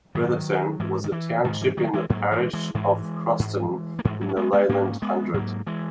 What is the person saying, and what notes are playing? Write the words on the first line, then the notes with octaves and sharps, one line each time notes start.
Bretherton was a township in the parish of Croston in the Leyland hundred.
G#2 D#3 F#3
G#2 E3
D#3
E3
G#2 D#3
E3
D#3 F#3
E3 G#3
G#2 F#3 A#3
E3 G#3
E3 G#3
G#2 E3 G#3
G#2
A#3
G#2 E3 G#3
F#3 A#3
C#4
G#3 B3
G#3 B3
G#2 A#3 C#4
G#3 B3
G#2 F#3 A#3
E3 G#3